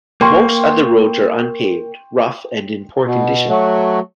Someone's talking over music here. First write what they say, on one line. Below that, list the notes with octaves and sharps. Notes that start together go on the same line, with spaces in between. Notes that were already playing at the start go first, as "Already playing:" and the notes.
Most other roads are unpaved, rough and in poor condition.
A#3 G5 C6 C#6
B2
F#3 A3 F#4